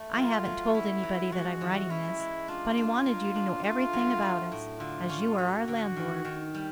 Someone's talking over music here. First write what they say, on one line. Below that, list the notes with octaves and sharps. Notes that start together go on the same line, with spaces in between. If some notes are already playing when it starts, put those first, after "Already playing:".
I haven't told anybody that I am writing this, but I wanted you to know everything about us, as you are our landlord.
Already playing: A3
F#3 F4
F#3
C#4 E4
F#3
G#3 F#4
E3
C#4 E4
G#3
D4 F4
D4
A#3
D4
A3 F4
F#3
A3
A2
D3 F4
C#4
C#4 F#4
D3
D#3
D#3
G3